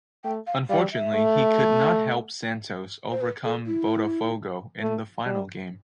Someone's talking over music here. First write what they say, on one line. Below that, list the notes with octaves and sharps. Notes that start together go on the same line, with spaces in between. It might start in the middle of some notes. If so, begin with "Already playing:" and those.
Unfortunately, he could not help Santos overcome Botafogo in the final game.
A3 G5
F5
G3 F5
E5
A3
C5
B4
A4
E4
A3
G3